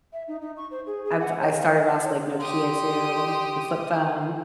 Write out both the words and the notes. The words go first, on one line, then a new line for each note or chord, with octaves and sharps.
I've I started off, like, Nokia too, the flip phone,
E5
D#4
D#4
C#6
C5
G#4
G#4
F#5
C#5
F5
A5
C#5
G4 C6 D#6